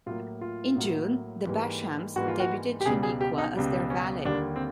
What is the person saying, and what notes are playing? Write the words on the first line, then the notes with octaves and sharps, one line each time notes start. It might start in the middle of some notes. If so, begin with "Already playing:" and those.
In June, the Bashams debuted Shaniqua as their valet.
A2 F#3 A#3 F4
F4
A2 F#3 A#3
G#2 E3 G3 A#3
G#2 E3 G3 A#3 F#4
F4
F#4
G4
C#2 B2 G3 G#4
G#4
G4
D#4
C#2 B2 G3
C#4
D#2 D3 G3 A#3 D4
C4